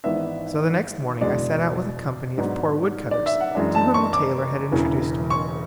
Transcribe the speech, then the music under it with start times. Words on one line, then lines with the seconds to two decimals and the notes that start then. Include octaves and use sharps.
So the next morning I set out with a company of poor wood-cutters, to whom the tailor had introduced me.
0.04 G#1 G#2 E3 B3 D4 E5
1.21 F#1 E2 B2 G#3 D4 D5
2.38 G#2 F#3 B3 D4
3.11 D5
3.26 E5
3.41 F#5
3.55 F#2 E3 G#3 D4
3.75 A5
3.94 C#6
4.13 D6
4.72 E1 E2 C#3 E3
5.30 C#6